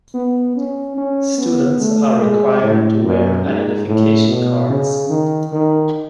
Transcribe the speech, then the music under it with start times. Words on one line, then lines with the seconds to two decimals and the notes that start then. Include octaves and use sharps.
Students are required to wear identification cards.
0.14 B3
0.56 C#4
0.97 C#4
1.38 B3
1.80 A3
2.21 G#3
2.63 A2
3.04 F#2
3.46 G#2
3.87 A2
4.28 B2
4.70 C#3
5.10 D#3
5.52 D#3